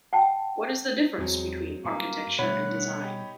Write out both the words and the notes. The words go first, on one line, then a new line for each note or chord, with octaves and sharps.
What is the difference between architecture and design?
F#5 G5 A5
E2 F#3 G#3 C4
G2 A#3
D2 B2 G3 C#5 F#5 B5
D#4 G4